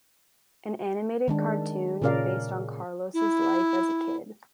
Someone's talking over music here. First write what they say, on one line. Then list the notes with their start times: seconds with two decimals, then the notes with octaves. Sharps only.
An animated cartoon based on Carlos' life as a kid.
1.28 D#3 G#3 D4
2.02 A#2 C#3 C#4 A#4 D5 F5
3.14 E4